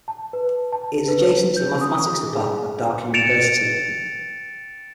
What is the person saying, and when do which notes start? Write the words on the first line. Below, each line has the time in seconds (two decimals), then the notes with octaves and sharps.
It is adjacent to the Mathematics Department of Dhaka University.
0.08 A5
0.33 B4
0.72 A5
1.08 B4
1.57 G6
1.81 D#6
2.27 G#4
3.14 A6 C#7 D7 E7 F7